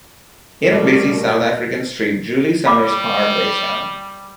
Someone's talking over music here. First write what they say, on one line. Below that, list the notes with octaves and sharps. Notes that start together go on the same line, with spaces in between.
In a busy South African street, Julie Summers' car breaks down.
B2 G3 A3 A#4
G3 F5 B5 D6